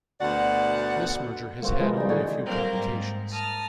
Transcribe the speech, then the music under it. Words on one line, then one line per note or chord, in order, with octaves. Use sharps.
This merger has had only a few complications.
D2 B2 D5 F#5
A#3 C4 F#4
E3 F3 G#3 A#4
G3 D#4
D3 D#3 G#4 C#5
F#3 G3 A#3 C4 A#4
G#2
A5 A#5 D#6 F6